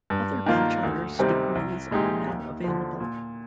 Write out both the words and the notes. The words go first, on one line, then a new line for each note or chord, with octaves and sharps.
Other bachelor's degrees are now available.
G2
D#3 A#3 F4
D2
C3 D#3 G3 C4
C2
A#2 G#3 D#4 G4
D#2
D3 F3
A#2